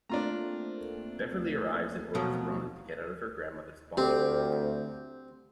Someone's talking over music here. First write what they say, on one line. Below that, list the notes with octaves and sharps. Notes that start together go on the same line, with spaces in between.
Beverly arrives and orders Ronin to get out of her grandmother's body.
A3 A#3 C4 D4 F4 A#5
B2 F3 F#3
D2 C4 G4